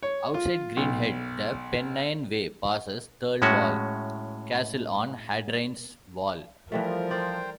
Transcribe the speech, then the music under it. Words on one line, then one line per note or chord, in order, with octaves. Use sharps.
Outside Greenhead the Pennine Way passes Thirlwall Castle on Hadrian's Wall.
C#5
F4
B1
A2 G#3 C#4 F#4
E3 F3 G3 A3 A#4
C5 D5 G5